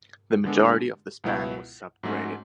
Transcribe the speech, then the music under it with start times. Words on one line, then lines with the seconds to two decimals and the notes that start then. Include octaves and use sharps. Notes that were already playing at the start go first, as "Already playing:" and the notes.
The majority of the span was sub-graded.
0.45 D3 G#3 B3 D4 A4
1.24 C#2 B2 F#3 B3 E4
2.03 G#2 F#3 A3 C#4